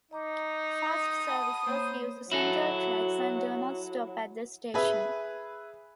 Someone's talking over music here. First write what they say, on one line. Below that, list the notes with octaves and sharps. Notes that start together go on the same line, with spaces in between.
Fast services use the central tracks and do not stop at the station.
D#4 D#5 A#5 D6
D#6
F#5 A5 B5
A#3 C5 C#5 B5
F#3 E4 F#4 A4
G#4 B4 E5